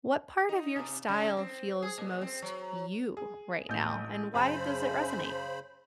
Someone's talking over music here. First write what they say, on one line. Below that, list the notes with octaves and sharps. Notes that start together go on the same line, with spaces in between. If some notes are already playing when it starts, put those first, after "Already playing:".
What part of your style feels most you right now, and why does it resonate?
D#4
C3
C#3
C4
G#4
A#2
C4
F#3
G#4
A1 G6
F#2 C#3 C5 A5 B5